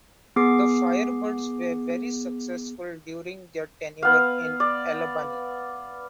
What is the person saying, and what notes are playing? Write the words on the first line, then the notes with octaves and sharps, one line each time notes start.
The Firebirds were very successful during their tenure in Albany.
B3 G#4 D6 C7
B3 F5
D5